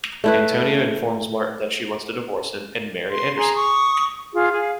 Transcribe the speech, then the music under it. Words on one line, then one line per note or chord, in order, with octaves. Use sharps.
Antonia informs Martin that she wants to divorce him and marry Anderson.
A3 E4 B4
C6
G#4 A#5 C6
C#6 D#6
F4 G#4
G#4 F5